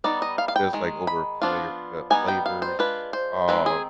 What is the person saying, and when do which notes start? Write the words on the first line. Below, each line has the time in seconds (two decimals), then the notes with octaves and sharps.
Just, like, over familiar fa uh, flavors, uh,
0.04 G3 B3 D#4 D5
0.22 D#5
0.38 F5
0.48 F5
0.56 G5
0.73 D#3 G#3
1.07 B5
1.42 F3 B3 D4 F4
2.10 G3 B3 D#4 G#5
2.28 G5
2.46 F5
2.62 C5
2.79 G#3 D4 F4 B4
3.13 C5
3.48 D#3 G#3 C4 B4
3.66 G#4